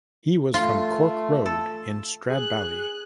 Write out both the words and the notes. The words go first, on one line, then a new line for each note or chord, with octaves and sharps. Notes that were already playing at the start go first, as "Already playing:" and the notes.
He was from Cork Road in Stradbally.
A3 F4
A4
G#4 F#6